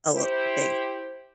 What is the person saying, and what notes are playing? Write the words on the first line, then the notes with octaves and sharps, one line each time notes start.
a litt big
E4 G4 C5